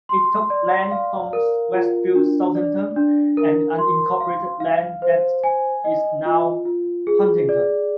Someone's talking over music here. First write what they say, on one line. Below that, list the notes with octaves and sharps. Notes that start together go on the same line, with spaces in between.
It took land from Westfield, Southampton, and unincorporated land that is now Huntington.
C6
D5
F5
A#4
F4
D4
D5
D4
A#4
C6
F5
F5
C5
G#5
D#5
F4
F4
G#4
D5